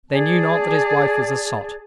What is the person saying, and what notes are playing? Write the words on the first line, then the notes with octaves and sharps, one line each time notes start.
They knew not that his wife was a sot.
G#4 D5 A5